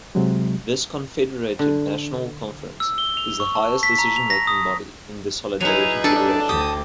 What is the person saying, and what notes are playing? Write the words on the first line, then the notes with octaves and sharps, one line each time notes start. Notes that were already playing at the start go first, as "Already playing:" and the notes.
This confederated national conference is the highest decision making body in the Solidarity Federation.
C3 F#3 G#3
D3
E6
G7
F7
C#6
A5
B6
A#5
F7
A#6
D#6
F#3 D#4 E4 G#4 B4 F7
D4 A4 A5
D2 G4 D#6